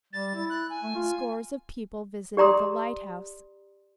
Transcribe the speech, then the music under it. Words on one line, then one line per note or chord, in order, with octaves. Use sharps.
Scores of people visited the lighthouse.
G3 A6
E4
F#6
G#5
A3
F4
G4 D5 A#5 C6 D#6